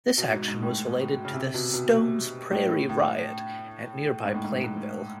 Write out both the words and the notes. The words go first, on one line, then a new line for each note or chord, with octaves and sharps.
This action was related to the "Stone's Prairie Riot" at nearby Plainville.
B2
G#2
G#2
A2
C#3
C3
B2
B2
B2
A2
A2
A2
G#2
A2
G#2
A2
G#2